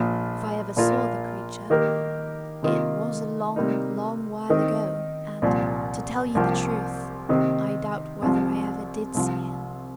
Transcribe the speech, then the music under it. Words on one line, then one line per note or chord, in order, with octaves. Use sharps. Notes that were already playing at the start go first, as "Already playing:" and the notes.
If I ever saw the creature, it was a long, long while ago; and, to tell you the truth, I doubt whether I ever did see him.
Already playing: A#1 A#2 F3
A#1 A#2 A#3 F4
D#3 A#3 G4 A#4
C3 D#3 A#3 F4
C3 G3 A#3 D#4
D#3 C4 D#4 A#4
C2 A#2 F3
C2 C3 F3 A#3 G4
C3 D#3 C4
C2 C3 F3
C2 C3 F3